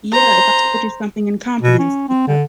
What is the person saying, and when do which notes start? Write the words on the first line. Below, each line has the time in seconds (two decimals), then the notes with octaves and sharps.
Yeah, if I told you something in confidence, yep.
0.12 C5 A#5
1.62 B2
1.79 C#4
2.09 C4
2.27 D3